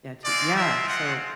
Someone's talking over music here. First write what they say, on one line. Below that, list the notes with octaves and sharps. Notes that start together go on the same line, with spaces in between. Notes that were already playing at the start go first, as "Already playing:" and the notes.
Yeah to Yeah. So
G#3 C4 F4 D5
E5
F#5